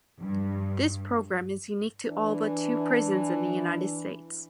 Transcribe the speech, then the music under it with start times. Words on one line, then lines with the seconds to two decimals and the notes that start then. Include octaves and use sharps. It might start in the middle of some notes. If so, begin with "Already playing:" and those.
This program is unique to all but two prisons in the United States.
0.20 G2
2.06 E3 D4